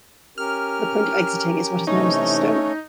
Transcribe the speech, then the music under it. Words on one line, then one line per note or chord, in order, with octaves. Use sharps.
The point of exiting is what is known as the stoma.
C#4 G4 A#4 F6
C3 E3 A3 C#4 D#4 C#5